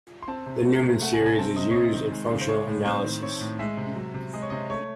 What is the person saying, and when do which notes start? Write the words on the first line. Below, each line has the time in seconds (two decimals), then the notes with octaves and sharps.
The Neumann series is used in functional analysis.
0.22 C6
0.28 C4 A5
0.46 C3
0.65 A3
0.83 C3
1.01 A3 F#5
1.13 G#5
1.21 C3
1.26 G#5
1.38 C4 A5
1.56 C3 D#5
1.71 C#5
1.75 C4 D#5
1.94 D#3
2.12 G#3
2.31 C#3
2.41 C5
2.48 G#3 C#5
2.67 A2
2.85 C4 C5
3.04 D#3
3.22 C4 C#5
3.41 A2
3.59 G#3 E5
3.77 C3
3.96 F#3
4.14 C3
4.33 G#3 D#5
4.42 C#5
4.50 C3 D#5
4.70 A3 C#5